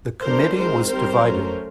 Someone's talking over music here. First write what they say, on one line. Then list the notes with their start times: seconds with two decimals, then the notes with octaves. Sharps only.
The committee was divided.
0.23 D3 F#3 B3 D4 A#4 C5
0.56 D#3 G#3 C4 A#4 C5
0.89 G3 C4 A#4 C5
1.22 F#3 A3 C#4